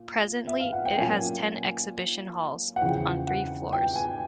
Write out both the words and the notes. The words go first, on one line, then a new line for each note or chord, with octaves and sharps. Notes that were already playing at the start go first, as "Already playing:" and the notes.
Presently, it has ten exhibition halls, on three floors.
Already playing: A#2
E5
F5
F#5
G5
A#2 F#3 A#3 C#4 G#5
F#5
E2 C#3 F3 G5
F#5
G5
G#5